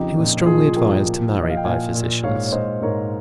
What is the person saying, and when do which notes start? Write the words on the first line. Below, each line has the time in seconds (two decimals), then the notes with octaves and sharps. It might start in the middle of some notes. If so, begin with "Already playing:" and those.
He was strongly advised to marry by physicians.
Already playing: F2 C#3 F3 D#4 G4
0.18 A#2
0.46 F3 F4 G#4
0.76 F3 G4 A#4
1.05 A#2
1.35 F3
1.43 D#5
1.50 F5
1.57 G5
1.64 A#2 F5 G#5
1.94 A#2
2.23 G#2 C#5 F5
2.47 C#5
2.53 G#2 C5 D#5
2.82 G#2 A#4 C#5